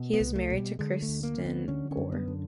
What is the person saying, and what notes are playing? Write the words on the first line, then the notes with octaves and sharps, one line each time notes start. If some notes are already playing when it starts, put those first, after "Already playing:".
He is married to Kristin Gore.
Already playing: B2
B3
C2
A3
B2
G3
D3 G#3
A3
D2
A#3
D3
B3
D3 C#4
C#4
F#2
B3
D3